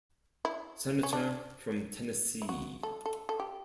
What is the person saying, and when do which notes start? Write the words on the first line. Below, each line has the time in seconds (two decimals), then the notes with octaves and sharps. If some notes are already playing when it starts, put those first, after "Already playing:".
Senator from Tennessee.
0.45 E4
1.03 C#4
1.13 D4
2.42 E4
2.49 F#4
2.83 A4
3.06 A4
3.29 A4
3.40 G4